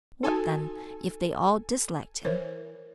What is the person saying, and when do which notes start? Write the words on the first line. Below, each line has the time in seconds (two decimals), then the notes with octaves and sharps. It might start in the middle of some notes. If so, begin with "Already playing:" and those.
"What, then, if they all disliked him?"
0.23 D#4 F#4 A4 G#5
2.25 E3 A#4 C5 C#5